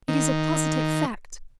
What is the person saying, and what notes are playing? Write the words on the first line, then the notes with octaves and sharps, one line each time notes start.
It is a positive fact!
D#3